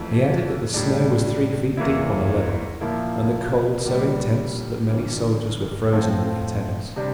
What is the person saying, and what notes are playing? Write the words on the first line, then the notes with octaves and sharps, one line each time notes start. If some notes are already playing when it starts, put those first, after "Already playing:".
He added that the snow was three feet deep on a level, and the cold so intense that many soldiers were frozen in their tents.
Already playing: F2 E3 A3
A2 G3 D4
E2 E3 A#3 E4
A#2 F3 A#3 E4
A#1 A#2 G3
G1 G2 E3
A2 F3 A3 C4
C3 G3 D4